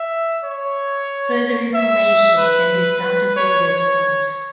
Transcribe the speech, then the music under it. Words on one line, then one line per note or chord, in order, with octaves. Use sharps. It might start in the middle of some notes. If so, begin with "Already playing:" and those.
Further information can be found at their website.
Already playing: E5
C#5
E5
B4
B4
C#5
C#5